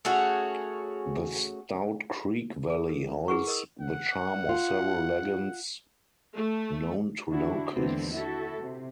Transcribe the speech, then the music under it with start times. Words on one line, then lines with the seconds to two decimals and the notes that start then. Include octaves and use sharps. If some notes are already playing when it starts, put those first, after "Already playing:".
The Stout Creek valley holds the charm of several legends known to locals.
0.05 A3 C#4 F#4 G#4
2.70 G#4 A4
2.89 A4
3.28 E4 G#4 B4 F#5 C#6
3.47 A#4 D#5 D#6 E6
3.81 F#5
4.49 F4
6.35 A3
7.29 D3 D4 E4 F#4
7.73 D#2 D3 E3 G#3 B3 C4
8.13 E4 F#4 A4 E5
8.59 C3